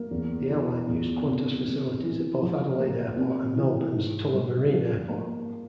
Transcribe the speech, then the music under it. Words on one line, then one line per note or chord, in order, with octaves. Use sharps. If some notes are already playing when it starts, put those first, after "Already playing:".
The airline used Qantas facilities at both Adelaide airport and Melbourne's Tullamarine airport.
Already playing: A#3
E2
E3
E2
C3
C3
E3
F3
A#3
C3
E3
G#2
G3
F3
A#3